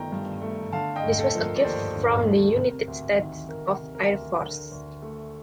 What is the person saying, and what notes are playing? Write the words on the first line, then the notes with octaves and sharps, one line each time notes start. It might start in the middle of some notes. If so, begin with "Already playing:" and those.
This was a gift from the United States Air Force.
Already playing: G1 D#3 A3 G5 A#5
G2
A3
D3 F5 A5
D#5 G5
A3
A4
F3
A#4
D5
D#2 A4 C5
D3
A3
C3 A#4
D2
D#3
D2 A#4
C3
A#4
D2
D3 A#4
D2
A3